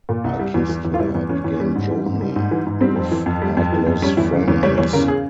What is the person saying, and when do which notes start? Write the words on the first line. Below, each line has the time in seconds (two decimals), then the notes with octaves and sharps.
"I kissed her," began Jonah, with artless frankness.
0.09 A#2
0.24 C2
0.39 G3
0.54 E2
0.69 E3
0.85 E2
0.94 F4
0.99 G3 E4
1.15 E2
1.29 E3 C#4
1.44 E2
1.60 G3
1.75 G#2
1.91 E3
2.06 G#2
2.21 G3
2.36 G#2
2.51 E3
2.67 G#2
2.81 G3 C4
2.96 F2
3.11 E3
3.26 F2
3.42 G3
3.57 F2
3.72 E3
3.87 F2
4.02 G3 C#4
4.17 E2 E4
4.32 C#3
4.47 E2 C#5
4.63 G3 C#5
4.78 E2 C#5
4.93 C#3 A#4
5.08 G#4